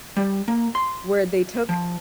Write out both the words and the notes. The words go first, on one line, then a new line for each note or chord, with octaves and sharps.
where they took
G3
A#3
C6
F3